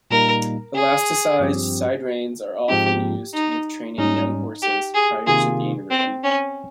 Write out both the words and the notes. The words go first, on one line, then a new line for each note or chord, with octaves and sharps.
Elasticized side reins are often used with training young horses prior to being ridden.
A#2 G3 A#3 D#4 A#4
G#4
G2 F3 C4 G4
G#2 F3 G#3 C4 D#4 G4
D#4
G#2 G3 C#4 D#4
G4
G#4
C3 D#3 A#3 F4 G#4
C4
C#4